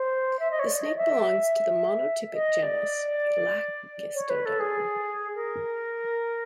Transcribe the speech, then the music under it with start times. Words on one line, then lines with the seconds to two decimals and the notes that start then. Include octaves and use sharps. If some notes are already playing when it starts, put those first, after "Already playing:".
The snake belongs to the monotypic genus "Elachistodon".
Already playing: C5
0.40 E5
0.51 D#5
0.59 C#5
0.66 D5
0.82 D#5
0.97 E5
2.33 D#5
2.63 D5
4.15 C#5
4.30 B4
4.46 A4
4.60 G#4
5.35 A#4